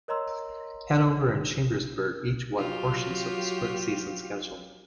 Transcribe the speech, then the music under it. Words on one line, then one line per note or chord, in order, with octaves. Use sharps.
Hanover and Chambersburg each won portions of the split season schedule.
A#4 C#5 D#5 A#5 C6 E6
F#3 F4 G4